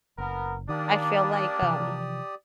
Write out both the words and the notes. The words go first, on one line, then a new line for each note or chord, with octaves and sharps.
I feel like, um
F#1 B3 A#4
D#3 A#3 D4 G4 D5 D#6
C3 E3 F3